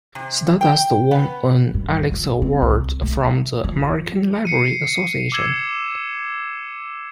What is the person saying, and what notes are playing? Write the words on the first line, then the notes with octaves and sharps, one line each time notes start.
"Stardust" won an Alex Award from the American Library Association.
C3
G5
B3
G2
F3
C4
C2
A3
F3
C7 C#7 D#7
D6 E6 G#6 E7